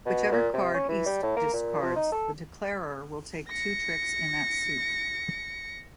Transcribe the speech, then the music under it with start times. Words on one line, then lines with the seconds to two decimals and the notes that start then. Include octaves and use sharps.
Whichever card East discards, the declarer will take two tricks in that suit.
0.06 B2
0.32 A#2
0.53 C3
0.74 C#4
0.88 E3
1.06 G3
1.23 A2
1.36 A#3
1.53 A#2
1.82 F3
1.96 D#4
2.12 A4
3.49 A#6 C#7